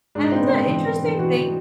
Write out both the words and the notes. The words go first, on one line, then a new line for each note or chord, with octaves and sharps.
and it's an interesting thing
G#2 D4
D#4
G#2 C4
B3
G#2 C4
E3
E3
E3
E3 F#4
E3